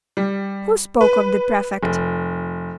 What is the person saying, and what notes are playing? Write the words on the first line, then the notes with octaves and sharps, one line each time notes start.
'Who spoke of the prefect?
G3
B4
F1